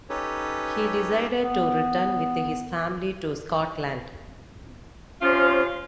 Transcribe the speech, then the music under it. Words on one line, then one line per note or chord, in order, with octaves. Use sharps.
He decided to return, with his family, to Scotland.
C#4 D#4 G4 A4 B4 C#5
B3
C3 F3 C#4 F4 C5